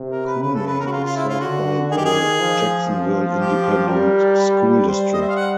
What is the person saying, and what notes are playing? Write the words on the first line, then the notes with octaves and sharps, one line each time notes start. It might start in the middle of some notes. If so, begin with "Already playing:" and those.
Cuney is served by the Jacksonville Independent School District.
Already playing: C3
A#4
B4
C#3 B4
A4
B4
A#4
F#4
F4
F4
E4
F4
D3 F#4
D#3 G#4
G4
G#4
F3
G4
G3 A#4
B4
B4
G3 C5
D#5
E5
F5
F#5